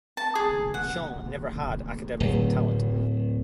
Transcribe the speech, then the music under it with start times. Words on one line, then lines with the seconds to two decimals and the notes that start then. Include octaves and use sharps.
Cheung never had academic talent.
0.17 A5
0.35 G#4
0.74 F#5
2.20 D1